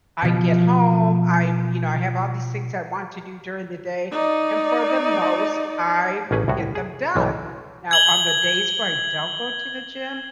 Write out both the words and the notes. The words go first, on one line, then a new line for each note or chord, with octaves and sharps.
I get home, I you know, I have all these things I want to do during the day, and for the most, I get them done. Now, on the days where I don't go to the gym,
B2 F3
D#4 D5
A1 A#3 C#4 G#4 B4
C2 A2 F#4
G#4
B1 E3 A#3
G#6 F#7 G7